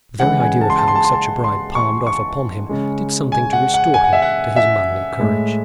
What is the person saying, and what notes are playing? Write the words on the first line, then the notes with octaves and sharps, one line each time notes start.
The very idea of having such a bride palmed off upon him did something to restore him to his manly courage.
C#3 E3 G#3 F#5
G#5
A5
C6
A5
C6
A5
C6
A5
C6
C#6
C#6
C#3 G#3
G#5
F#5
F#5
G#5
F#5
E5
F#5
E5
A2 G#3